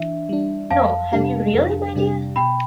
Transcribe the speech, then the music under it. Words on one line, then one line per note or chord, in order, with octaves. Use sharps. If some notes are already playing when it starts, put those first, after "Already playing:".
No; have you really, my dear?
Already playing: E3 D4 E5
G3 D4
F2 F5 A5
C3 G3 D4 G4
F2
C3 G3 D4 G4
B2 G5 B5